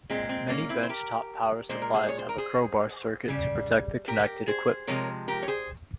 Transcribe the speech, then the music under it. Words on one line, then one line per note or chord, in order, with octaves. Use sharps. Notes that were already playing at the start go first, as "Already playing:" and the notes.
Many bench top power supplies have a crowbar circuit to protect the connected equipment.
A#2 G#3 C4
C4
A#3 C#4
C4 E4
C5
G4 A#4
A#2 G#3 C5
A#4
G#4 C5
C#5
C5
A#4
G#4 C5
C#3 G3
G4 A#4
G#4 C5
C3 F3 G#3 A#4 C#5
G4 A#4
C#5
G#4 C5